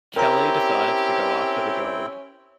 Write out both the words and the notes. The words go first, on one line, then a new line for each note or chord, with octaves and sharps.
Kelly decides to go after the gold.
C4 C#4 E4 G4 A#4 G5 A#5